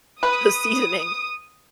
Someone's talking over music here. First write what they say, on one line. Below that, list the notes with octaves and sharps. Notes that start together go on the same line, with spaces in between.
the seasoning.
B4 D#6